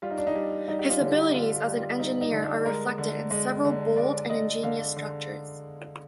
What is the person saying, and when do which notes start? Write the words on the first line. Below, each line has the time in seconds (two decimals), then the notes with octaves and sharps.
His abilities as an engineer are reflected in several bold and ingenious structures.
0.02 G3 F4
0.10 D#4
0.18 D4
0.27 D#4
0.35 G3
0.68 G3 D#4
0.79 G4
0.90 F4
1.00 D3
1.12 G4
1.34 D3 F4
1.55 F4
1.67 G3
1.78 F4
1.99 G3 D#4
2.21 D#4
2.32 D3
2.43 D4
2.66 G#3 A#4
2.98 D3
3.31 G#3
3.65 D3
3.97 G#3 D5
4.29 D3 D#5
4.63 D3 F5
4.96 D3